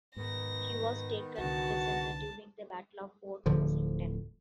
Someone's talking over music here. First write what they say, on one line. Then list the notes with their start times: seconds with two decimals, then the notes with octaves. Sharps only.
He was taken prisoner during the Battle of Fort Washington.
0.16 G#2 D#3 B3 A#6
1.38 C2 D3 F#4 A5
3.46 D1 D3 F3